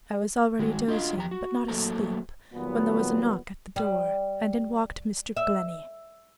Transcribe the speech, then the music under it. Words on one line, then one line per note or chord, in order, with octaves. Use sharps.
I was already dozing, but not asleep, when there was a knock at the door, and in walked Mr. Glennie.
D#3 G#3 F#4
D4 F4 F#4 C#5 D#5 F5
E2 G4 A#5
F#4
F#3 A3 A#3 A4 C5 A#5
D#2 A#2 F#3 G3 B3
G3
E5